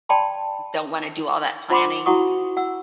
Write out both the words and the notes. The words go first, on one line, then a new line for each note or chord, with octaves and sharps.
don't want to do all that planning
D5 G5 A5 B5 C6
F4 C5 F#5 B5 C6 D6
E4 F#4 F#5 C#6 D#6
F#5 E6